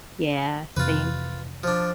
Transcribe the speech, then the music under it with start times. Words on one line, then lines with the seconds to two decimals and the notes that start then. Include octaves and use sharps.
Yeah, same.
0.77 F2 C3 E3 F4 B4
1.63 F3 D4